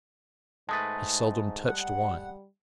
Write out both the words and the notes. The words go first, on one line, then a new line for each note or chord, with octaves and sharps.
He seldom touched wine.
G#2 G#3 A3 B4 A5 D#6 A6
G3 F#5